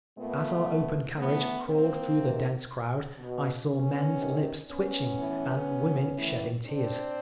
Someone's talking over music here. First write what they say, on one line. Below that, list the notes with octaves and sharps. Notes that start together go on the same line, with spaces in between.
As our open carriage crawled through the dense crowd I saw men's lips twitching and women shedding tears.
A#2 A3 B3
A2 E3 A3 B3
A#3 C4
C3 D#3
B2
B3 C#4
C3 D#3
B3 C#4
A2 E3
A2 E3
C4 D4